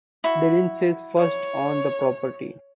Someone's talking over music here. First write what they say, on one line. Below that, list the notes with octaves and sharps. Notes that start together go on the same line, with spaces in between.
The Lindsays first owned the property.
E4 F#4
C#5